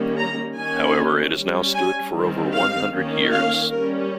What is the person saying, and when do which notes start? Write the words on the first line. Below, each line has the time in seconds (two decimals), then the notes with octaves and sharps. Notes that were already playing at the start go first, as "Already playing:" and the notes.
However, it has now stood for over one hundred years.
Already playing: D#3 G3 A#3 C#4
0.18 A#5
0.57 D#3 A#3 C#4 G#5
1.36 G3 C#4
1.75 G#5
2.15 D#3 G3 C4
2.54 F5
2.93 D#3 A#3 C#4
3.32 F5
3.71 G3 C#4 A#4